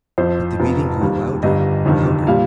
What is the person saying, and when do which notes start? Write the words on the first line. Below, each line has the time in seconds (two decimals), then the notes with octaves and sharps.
But the beating grew louder, louder!
0.18 F2 F3 C5
0.60 F1 F2 F3
1.01 D#2 D#3 G3
1.43 G1 G2 G3 D#5
1.85 G1 F2 C3 D#3 G3
2.27 A#2 G3 F5